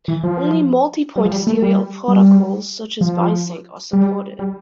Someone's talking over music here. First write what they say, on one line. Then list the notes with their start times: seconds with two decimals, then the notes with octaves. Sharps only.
Only multipoint serial protocols such as Bisync are supported.
0.08 E3
0.23 F3
1.16 G3
1.25 F3
1.31 G3
1.47 A3
1.62 G3
2.08 G3
3.01 F3
3.93 G3
4.39 G3